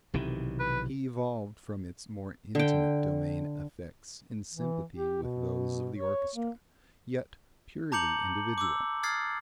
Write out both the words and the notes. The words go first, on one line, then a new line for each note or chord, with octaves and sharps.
He evolved from its more intimate domain effects in sympathy with those of the orchestra, yet purely individual.
B1 C3 D#3 E3
B4
D3 G5
E3
G4
B2
C#5
A#3
A5 A#5 D6 G6 C#7 F#7
D6 E6
D#6 F6 G#6 A6 C7